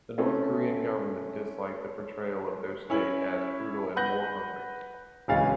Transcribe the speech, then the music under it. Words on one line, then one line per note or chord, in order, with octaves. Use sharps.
The North Korean government disliked the portrayal of their state as brutal and war-hungry.
A3 C4 C#4
C#4 E4 F#7
B4 F#5 F#6 G6 A#6
D1 C#2 E3 C#4 F5 A6